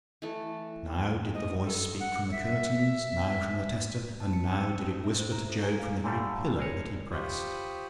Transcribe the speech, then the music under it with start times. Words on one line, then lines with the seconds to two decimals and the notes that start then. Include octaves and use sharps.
Now did the voice speak from the curtains; now from the tester; and now did it whisper to Job from the very pillow that he pressed.
0.22 E3 A3
1.34 D#5
1.64 A4
1.99 F#5
2.31 E5
4.20 A5
4.33 C#7
4.51 E6
4.82 C#4
5.04 E5
5.19 C5
5.32 A#5
5.49 A4
5.63 G#5
5.79 F5
6.04 A#2 D3 G3 A3
6.59 G#4 A#4 C#5
7.11 F4 G4 C5 B5 C#6 D#6